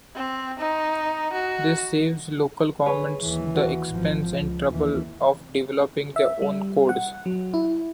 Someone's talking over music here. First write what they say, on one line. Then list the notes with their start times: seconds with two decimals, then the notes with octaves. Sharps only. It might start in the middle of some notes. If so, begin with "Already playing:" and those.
This saves local governments the expense and trouble of developing their own codes.
0.15 C4
0.59 D#4
1.33 F#4
2.86 G#4 B4 C#5
3.21 D#2 E3
3.55 F#4 B4
3.89 G#1 F3
4.38 C#2
4.71 D#2 E3
6.16 E5
6.42 G3
6.89 F#5
7.26 F#3
7.54 E4